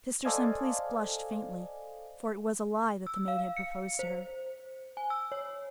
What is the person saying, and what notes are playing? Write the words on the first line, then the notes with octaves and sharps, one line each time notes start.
Sister Simplice blushed faintly, for it was a lie that the maid had proposed to her.
A4 C5 D5 D#5 F5 G#5
E6
F5
C#7
C5
G#5
E6
C#5